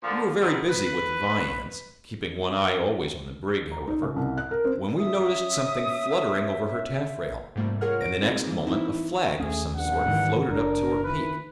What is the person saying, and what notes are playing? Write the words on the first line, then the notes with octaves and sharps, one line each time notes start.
We were very busy with the viands, keeping one eye always on the brig however, when we noticed something fluttering over her taffrail; and the next moment a flag of some sort floated up to her peak.
A#2 D3 F3
D#3 G#3 B3
B4
A#5
D#4
C#2
C2
F#6
A#4
C4
C#4 E5 D#6
G#2 C3 G3 A3 A#3 F4
F4 G#4 A#4 C#5 F#5 F6
A#6 D7
G3 G#3 C4 D#4 F4 G#4
E3 A#3
E3 C4 D#4 E4
D#2 A3 C#4 G#4
A#1 G2 F#5
G#2 D#3 E3
F#1 D4 A#4
D#3 E3 B4